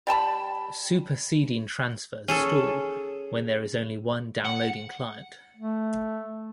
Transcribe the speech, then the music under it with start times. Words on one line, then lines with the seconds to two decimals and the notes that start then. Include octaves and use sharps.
Super seeding transfers stall when there is only one downloading client.
0.07 G3 G5 A5 B5
2.28 C#4 G#4 A4
4.45 F#5
5.57 A3